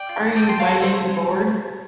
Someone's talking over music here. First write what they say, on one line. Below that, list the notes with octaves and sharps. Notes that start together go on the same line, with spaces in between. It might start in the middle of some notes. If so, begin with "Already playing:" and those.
Are you biting the board?
Already playing: D5 G5
F4
A4
D5 G5
A4
G5 C6
A3 F5 A5
A4
A3
C5